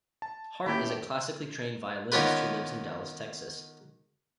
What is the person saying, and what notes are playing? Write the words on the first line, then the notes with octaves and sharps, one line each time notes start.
Hart is a classically trained violinist who lives in Dallas, Texas.
A5
A2 D#3 A#3 C#4 G4 B5 B6
D#3 B3 C#4 F4 G4 B4